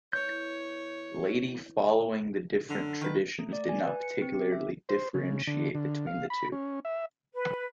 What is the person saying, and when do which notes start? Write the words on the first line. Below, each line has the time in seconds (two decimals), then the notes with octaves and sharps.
Laity following the different traditions did not particularly differentiate between the two.
0.13 E2 E3 C#5 G6
2.70 F#2 D3
3.01 D#3 B4
3.39 A3
3.53 D5
3.69 G#5
3.86 B4
4.03 C#7
4.22 C4
4.35 G4
4.52 E5
4.89 C5
5.14 C#3
5.47 D3
5.75 D3
6.07 F5
6.30 B5
6.52 C#4
6.85 E5
7.34 B4